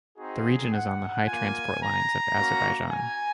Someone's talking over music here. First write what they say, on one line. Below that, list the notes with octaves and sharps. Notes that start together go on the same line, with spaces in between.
The region is on the high transport lines of Azerbaijan.
C4 D#4 F#4 G#4
F#5
A#3 F4 G#5
A#5
A#3 C#4 F#4
G#5